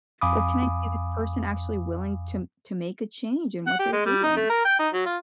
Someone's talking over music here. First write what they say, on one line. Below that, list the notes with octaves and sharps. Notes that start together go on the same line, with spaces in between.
or can I see this person actually willing to m to make a change in what they're doing?
F2 F5 G#5 B5 D6 D#6
F#5
G4
G#3
G3
D#4
A3
A#4
G5
D#4
F#3
F4